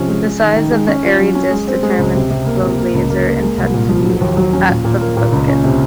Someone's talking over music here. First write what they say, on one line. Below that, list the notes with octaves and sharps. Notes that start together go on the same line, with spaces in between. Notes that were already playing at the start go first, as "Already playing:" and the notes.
The size of the Airy disk determines the laser intensity at the focus.
Already playing: C3 F3 C#4
G#3
G#3
D#3
D#3
G#3
C#4
F4
F#3
C#4
G#3
C4
G#3
C#2
C3
C3
A#3
C3
A#3
C#2
A#3
A#3
G#3
C2
A#2
F3
F#3
D#2
F#3
C#4
A#2
A#2
A#3
A#2
C#2
C#4
C3